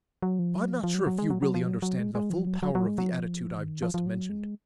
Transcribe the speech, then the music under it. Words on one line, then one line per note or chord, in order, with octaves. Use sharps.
I'm not sure if you really understand the full power of the attitude I've just mentioned.
F#3
F3
F#3
F3
F3
F#3
F#3
G#3
F#3
F#3
F3
F#3
F#3
G#3
G#3
F3
F#3
F#3
F#3
G#3
F#3
F3
D#3
F3
F3
F#3
G#3